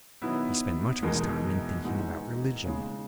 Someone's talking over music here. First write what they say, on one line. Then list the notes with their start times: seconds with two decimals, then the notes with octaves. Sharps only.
He spent much of his time in thinking about religion.
0.22 D#3 F#3 B3 E4
1.02 E2 B2 G#3 D#4 A#4
1.84 E3 G#3 D#4 F#4
2.65 C#3 G#3 D#4